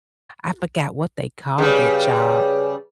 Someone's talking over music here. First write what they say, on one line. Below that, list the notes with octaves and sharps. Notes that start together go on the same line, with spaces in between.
I forgot what they called that job.
C#3 G3 G#4 B4 C#5